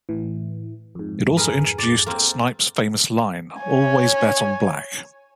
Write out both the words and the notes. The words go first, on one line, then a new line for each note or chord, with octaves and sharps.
It also introduced Snipes' famous line: Always bet on black.
A2 E3
F2 G#2
G#4 A#4 B4
D5
A#3 C4
C#5 G#5